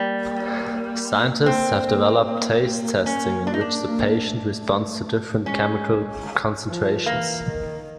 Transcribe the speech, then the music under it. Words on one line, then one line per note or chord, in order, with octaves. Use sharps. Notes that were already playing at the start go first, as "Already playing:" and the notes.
Scientists have developed taste testing in which the patient responds to different chemical concentrations.
Already playing: G3 A#3
A#3 C4
A#3
A#3
A#3
C#4
D4
D#4
D4
A#3
A3
G#3 C#4
F3
E3 A#3
D#3